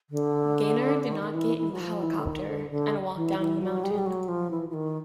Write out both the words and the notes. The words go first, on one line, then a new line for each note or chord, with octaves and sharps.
Gaynor did not get in the helicopter, and walked down the mountain.
D3
D#3
E3
E3
F#3
F3
E3
D3
D#3
D3
D3
E3
E3
F#3
G3
G#3
G3
F#3
F3
E3
E3
D#3